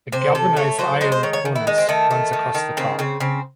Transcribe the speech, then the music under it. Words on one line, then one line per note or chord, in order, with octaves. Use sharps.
A galvanized iron cornice runs across the top.
C3 C5
C3 A4
A3 C#5
F#3 C5
G#3 C5
C5
D#3 C#5
C#5
D#3
E4
G#3 D#4
C4
D#3 A3
A3
D#3
D#3
C#3 C4
C#3 C4
C#3 C4